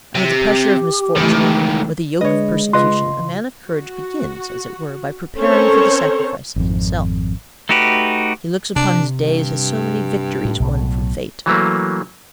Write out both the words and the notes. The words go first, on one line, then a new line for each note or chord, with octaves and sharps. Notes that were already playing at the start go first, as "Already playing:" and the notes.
Under the pressure of misfortune or the yoke of persecution a man of courage begins, as it were, by preparing for the sacrifice of himself: he looks upon his days as so many victories won from fate.
C3 G4
C#2 D#3 E3 A3
D3 G#3 D4 B4 C#5 D#5
C#3 F4 B4 D#5 C6
F#4
C4 C#4 A4 A#4 C5 C#5
G#1 F2
A3 D#4 F#4 G4 B4
C3 D4
G2
A2
B1 A2 F#3
E3 F#3 A3 A#3